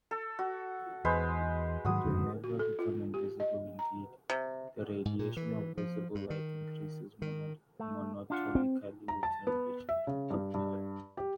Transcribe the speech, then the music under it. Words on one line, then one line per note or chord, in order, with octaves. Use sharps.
It will never become invisible-indeed, the radiation of visible light increases monotonically with temperature.
A4
F#4
E2 G#3 B4 C5
G#2 D#3 F#3 F#4 D#6
F#1 F2 D3
F#4
A4
F4
G4
D#5
A#5
C3
G#2
A#2
E3
F3
G2
D#3
D#3
A3
D4 F4 F#5
C4
A#5
A5
B3
E5
C#3
G2
G2
G4